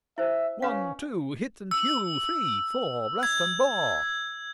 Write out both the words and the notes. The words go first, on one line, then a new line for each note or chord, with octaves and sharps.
'One, two, Hit and hew! Three, four, Blast and bore!'
E4 C5 E5
C#4 B4 C#5 F5
E6
G#6